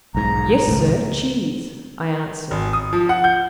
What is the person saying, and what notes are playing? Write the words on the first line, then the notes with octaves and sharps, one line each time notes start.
"Yes, sir, cheese," I answered.
B1 G#2 A#5
C#2 A2
G#1
D#6
F3
F#5
G6